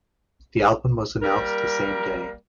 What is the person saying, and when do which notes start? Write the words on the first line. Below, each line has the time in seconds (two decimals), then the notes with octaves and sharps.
The album was announced the same day.
1.22 G3 A#3 A#4